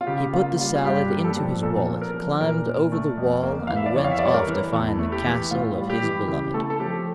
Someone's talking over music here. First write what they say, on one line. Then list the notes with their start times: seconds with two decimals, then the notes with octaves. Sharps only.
He put the salad into his wallet, climbed over the wall, and went off to find the castle of his beloved.
0.01 F4
0.07 C#3 G4
0.33 A#3 F4
0.58 G3 F4
0.75 F4
0.85 G2 G4
1.11 A#3
1.19 G4
1.24 A4
1.37 F3
1.63 A#2 A4
1.88 A#3
2.01 A#4
2.14 F3
2.40 A#2 A#4
2.66 A#2
2.92 A3
3.18 F2
3.43 A#3
3.67 E3 F5
3.76 E5
3.86 D5
3.95 F2 C#5
4.04 F5
4.11 E5
4.19 D5
4.22 G3
4.27 C#5
4.34 A#4
4.47 E3
4.73 E2 A4
4.99 A3
5.12 G4
5.25 E3
5.51 A2 F4
5.77 G3
5.90 G4
6.03 E3
6.28 C#3 G4
6.54 A3 A4
6.70 A4
6.80 F3 G4